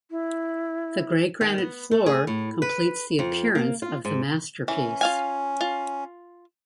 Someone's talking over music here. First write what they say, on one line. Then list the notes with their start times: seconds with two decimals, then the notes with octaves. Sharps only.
The grey granite floor completes the appearance of the masterpiece.
0.11 E4
1.41 D#3
1.58 B3
1.91 A3
2.06 G#4
2.27 A2
2.62 B4
3.19 F2
3.55 A#3
3.82 F4
4.05 G#2
4.68 E3 C#4
5.01 F4 F5 G#5
5.61 F4